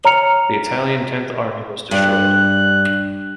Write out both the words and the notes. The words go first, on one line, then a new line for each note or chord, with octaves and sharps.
The Italian Tenth Army was destroyed.
C#5 A#5 F6 C#7 F7
G2 F#6